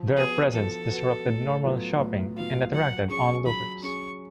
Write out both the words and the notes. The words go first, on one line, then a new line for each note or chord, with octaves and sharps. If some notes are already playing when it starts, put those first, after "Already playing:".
Their presence disrupted normal shopping and attracted onlookers.
Already playing: F3
B3 F#4 G#4 B4
F3 A4
B3 F#4 B4
A2
F#3 B3 F4
A2
F#3 B3 F4 F5
F#3 F#5
C#4 G#4 C#6
F#3 B5
C#4 G#4 C#6